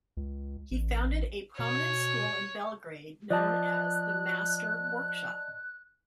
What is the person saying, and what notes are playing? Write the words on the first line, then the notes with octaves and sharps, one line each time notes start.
He founded a prominent school in Belgrade known as the "Master Workshop".
C#2
A1
B2 C#5
F3 D5 D#5 A5 F#6